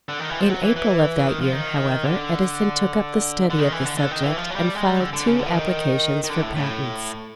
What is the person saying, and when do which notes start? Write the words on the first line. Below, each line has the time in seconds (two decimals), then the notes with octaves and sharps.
In April of that year, however, Edison took up the study of the subject and filed two applications for patents.
0.09 D3
0.19 D#3
0.30 E3
0.40 F3
0.50 F#3
0.63 E3
0.76 E3
1.27 D#3
1.41 F3
1.53 D#3
2.04 D3
3.50 D3
3.59 D#3
3.72 E3
3.85 D3
3.97 D3
4.11 D#3
4.23 E3
4.37 F3
4.50 F#3
4.56 G3
4.75 G#3
4.88 G3
5.00 D3
5.13 D3
5.27 C#3
5.39 D3
5.46 E3
5.52 D#3
6.24 D#3
6.29 D3
6.43 A2
6.56 A2